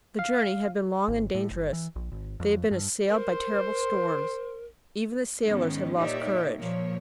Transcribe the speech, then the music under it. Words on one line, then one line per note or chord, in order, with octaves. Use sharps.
The journey had been long and dangerous; they had been assailed by terrible storms; even the sailors had lost courage.
F5
G#1
A2
G1
E3
A#1
G#1
F2
G2
A#4 C5
G#2 D#3 B3 C#4
A#2 D#4 G4 C#5 D5 E5
A#2 F3 A#3 C#5